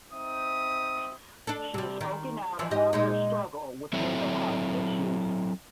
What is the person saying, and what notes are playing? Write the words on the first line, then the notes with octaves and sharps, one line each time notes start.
She has spoken out about her struggle with mental health issues.
C4 D#4 E5 D#6
D4 A4
C3 G3
D#3
E3 F3
G#2 G4 D#5
A#2 G#3 D#4
F#3 C4 E4 A4 C#5 E5